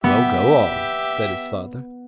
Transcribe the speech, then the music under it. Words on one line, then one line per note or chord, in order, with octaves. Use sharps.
"Well, go on," said his father.
B3 G4 E5